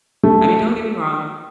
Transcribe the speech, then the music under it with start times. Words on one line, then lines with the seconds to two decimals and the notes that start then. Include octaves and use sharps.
I mean, don't get me wrong;
0.23 A3